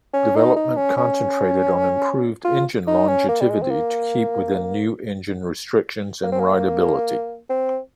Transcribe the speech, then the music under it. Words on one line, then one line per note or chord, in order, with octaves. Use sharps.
Development concentrated on improving engine longevity, to keep within new engine restrictions, and rideability.
C#4
D#4
D#4
C#4
C#4
F4
D#4
C#4
A#3
G3
G#3
C4
A#3
A#3
C4
A#3
C4